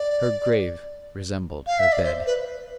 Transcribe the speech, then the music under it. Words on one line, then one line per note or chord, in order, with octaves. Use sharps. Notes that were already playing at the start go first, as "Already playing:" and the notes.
Her grave resembled her bed.
Already playing: D5
F5
E5
D5
C5
B4